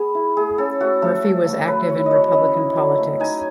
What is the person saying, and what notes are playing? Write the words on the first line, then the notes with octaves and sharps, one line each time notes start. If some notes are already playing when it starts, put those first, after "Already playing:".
Murphy was active in Republican politics.
Already playing: B3 G#4
E4
A3 G#4
C#4 A4
A3 F#4
A3 A4
A3
A3
F#3 B4
E4 C#5
D#5
F#3 C#5
C#4 D#5
E4
F#3
A3
D#4 G#5